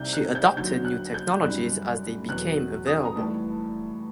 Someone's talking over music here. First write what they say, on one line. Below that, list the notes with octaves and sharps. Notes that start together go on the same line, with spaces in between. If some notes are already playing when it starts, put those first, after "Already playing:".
She adopted new technologies as they became available.
Already playing: C2 C3 D#3 G6
F#6
G6
D#2 D3 F#3 G6
F#6
G6
F#2 D#3 G3 F#6
E2 B2 F#3 F#6
D#6
A#5
A2 E3 G3 A5